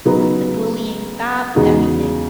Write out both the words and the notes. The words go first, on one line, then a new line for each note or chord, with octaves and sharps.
The bullying stopped, everything.
C#3 F#3 B3 D#4
E2 C#3 G#3 D#4 F#4